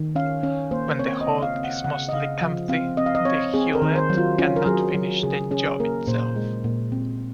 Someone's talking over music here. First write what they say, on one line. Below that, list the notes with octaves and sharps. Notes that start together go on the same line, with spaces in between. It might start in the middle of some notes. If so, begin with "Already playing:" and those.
When the hold is mostly empty, the Hulett cannot finish the job itself.
Already playing: D#3
C#4 F5
C#4
A#3 C5
C4 C#5
D#5
C#3
F5
C4
F#5
C#3 F#5
D#5
C#3 F5
F3
C4 F5
C4 D#5
F5
D#5
C4 C#5
C4 G#4
A#4
D#3
C5
F#3
F4
C#4 F4
A#4
F#3 G#4
F#3
C#3 G#4
C#4 G#4
A#3 A#4
A#2 C5
G#3
A#2
C4